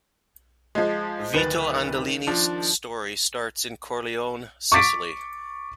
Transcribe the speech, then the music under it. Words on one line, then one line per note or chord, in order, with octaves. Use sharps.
Vito Andolini's story starts in Corleone, Sicily.
F3 G#3
D1 D#3 B4 A6
F3 D4
C#6 D6 A6 B6 D7